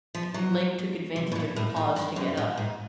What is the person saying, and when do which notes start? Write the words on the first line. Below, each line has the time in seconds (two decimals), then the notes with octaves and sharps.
Mike took advantage of a pause to get up.
0.15 F3
0.34 F#3
1.16 C3
1.32 B2
1.35 A#2
1.56 A2
1.76 G#2
1.96 G2
2.16 F#2
2.37 A2
2.58 G#2